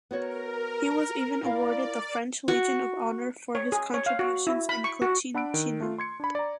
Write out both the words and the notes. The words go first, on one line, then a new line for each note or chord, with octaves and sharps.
He was even awarded the French Legion of Honor for his contributions in Cochinchina.
B3 F#4 A#4 C#5
E4 F4 D5 F5
F#4
C#5
G#4
C#5
F5
F#4
E4
B5
C#6
F#4
D4 F#5 B5 E6 F#6 D7
D#3
A3 F4
C6 G#6 C#7
D4 B5
D5 A#5